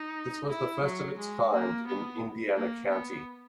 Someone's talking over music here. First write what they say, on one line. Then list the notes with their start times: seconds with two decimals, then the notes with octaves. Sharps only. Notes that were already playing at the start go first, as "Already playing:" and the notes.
This was the first of its kind in Indiana County.
Already playing: D#4
0.49 E4
0.83 F#3
1.18 G#3
1.52 A#3
1.86 B3
2.55 A#3
2.90 B3